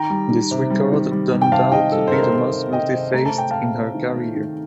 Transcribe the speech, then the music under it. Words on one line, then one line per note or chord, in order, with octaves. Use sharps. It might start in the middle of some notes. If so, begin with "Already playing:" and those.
This record turned out to be the most multifaced in her career.
Already playing: D#3 G5 A#5
G3
D#3
C3
G3
D#3
G3
G3
G5
C3 F5 A5
D#3 D#5 G5
G3 A4
C5
C3 A#4
C5
C3 A#4
C3
C3 D#5 G5
C3
A3 A#5
A5
C3 G5
C3 F5 A5
C3
D#3
A3
D#3